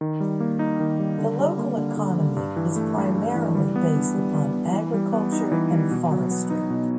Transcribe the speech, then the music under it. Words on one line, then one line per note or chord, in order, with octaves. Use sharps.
The local economy is primarily based upon agriculture and forestry.
D#3
G3
A#3
D#4
D#3
G3
D3
G3
A#3
D3
D3
G3
G2
E3
A3
G2
G2
E3
G3
B3
D4
G3
G3
B3
E3
G3
B3
D#4
E3
G3
B2
F#3
B3
D#4
B2